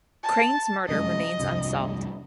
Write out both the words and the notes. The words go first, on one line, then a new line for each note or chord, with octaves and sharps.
Crane's murder remains unsolved.
A5
F1 F#2 G#3 D#5
F1 C2 G2